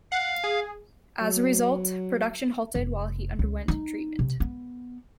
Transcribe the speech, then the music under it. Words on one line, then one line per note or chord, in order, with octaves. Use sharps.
As a result, production halted while he underwent treatment.
F5 F#5
G#4
F#3
F1
C#2
D#4
C3
B3